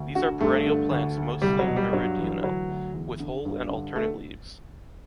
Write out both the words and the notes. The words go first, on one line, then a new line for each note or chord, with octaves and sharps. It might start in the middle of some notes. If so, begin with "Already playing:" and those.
These are perennial plants mostly meridional, with whole and alternate leaves.
Already playing: D2
D3 F#4
G2 A3
D3
D2
D2
C2 G3
F#3
B2
G3
G2 F#3
E3
D2 F#3
D2
E2
D3
G2
D3
A3